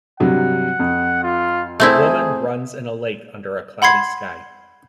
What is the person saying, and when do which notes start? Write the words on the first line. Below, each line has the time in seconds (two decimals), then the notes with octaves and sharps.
A woman runs in a lake under a cloudy sky.
0.20 G2 C3 F#3 F#5
0.79 F2
1.23 F4
1.80 A3 C4 E4 G#4
3.82 F#5 B5 C6 G#6 C7